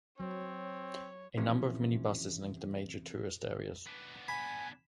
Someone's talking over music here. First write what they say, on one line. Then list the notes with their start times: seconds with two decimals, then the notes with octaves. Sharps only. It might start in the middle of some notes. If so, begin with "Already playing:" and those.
A number of minibuses link the major tourist areas.
0.20 F#3 C4 C#5
1.38 C3 E3 F3 C#4
3.87 B3 D4
4.28 G#5 B5